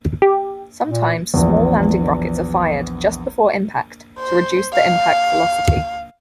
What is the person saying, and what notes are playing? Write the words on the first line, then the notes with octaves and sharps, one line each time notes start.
Sometimes small landing rockets are fired just before impact to reduce the impact velocity.
G4
A#2
A#1 E2
C5
F5